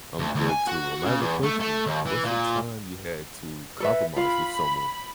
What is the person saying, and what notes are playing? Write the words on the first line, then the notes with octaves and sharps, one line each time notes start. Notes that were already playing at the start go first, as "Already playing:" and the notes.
I'm good too, um, I have a question. What's a time you had to compromise with someone?
D2
D2
G#5
F#4
C#3
E2
A3
A3
D#2
E3
A#2
A4 B4 E5
F4 F5 B5